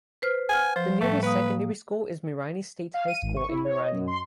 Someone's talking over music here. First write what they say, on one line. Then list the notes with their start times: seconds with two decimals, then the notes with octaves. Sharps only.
The nearest secondary school is Mirani State High School in Mirani.
0.22 B4 C5 F6
0.49 F#5 G#5 F6
0.76 F3 C5
1.01 A2 G3 A3
1.23 A#3 B4 F5 D#6
2.94 F5
3.08 D#7
3.22 G#1
3.37 C#6
3.49 E4
3.65 C#5
3.80 D#5
3.92 F#2
4.07 C6